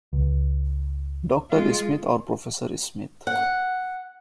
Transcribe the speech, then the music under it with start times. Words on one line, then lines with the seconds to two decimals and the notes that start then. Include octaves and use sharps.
Doctor Smith or Professor Smith.
0.13 C#2
1.50 G#3 F4
3.27 F#5